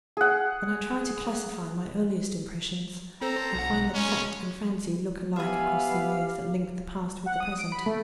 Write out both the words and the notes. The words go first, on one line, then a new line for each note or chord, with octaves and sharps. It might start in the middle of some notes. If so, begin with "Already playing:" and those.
When I try to classify my earliest impressions, I find that fact and fancy look alike across the years that link the past with the present.
G#4 F#5
C4 A4 C5 A#5
B1 F#5
G#3 C#4
B3 G4 E5 F5 G#5
F#5
D#6
D7
B5
A3